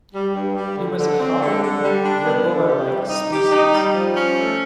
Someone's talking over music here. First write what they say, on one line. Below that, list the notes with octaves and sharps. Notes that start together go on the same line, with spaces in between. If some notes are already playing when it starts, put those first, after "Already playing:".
It was a hopping, gerboa-like species.
G3
G2
G3
D3
D3
C4
D3
D3
G3
D4
B3
D3
G4
G3
D#4
G4
D#4
G3
F3
C#4
A3